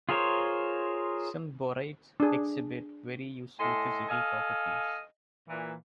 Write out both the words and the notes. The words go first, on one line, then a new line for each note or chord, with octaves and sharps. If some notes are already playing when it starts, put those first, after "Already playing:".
Some borides exhibit very useful physical properties.
F4 G#4 A#4 C5 C#5
D4 G#4
A2 A4 D#5 G#5 C6
A4 D#5 F5 G#5
A#2 E3